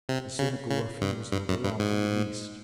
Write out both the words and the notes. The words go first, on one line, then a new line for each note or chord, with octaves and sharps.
The cynical ruffian was not alarmed in the least.
C3
C#3
C#3
G2
G2
F#2
G2
G#2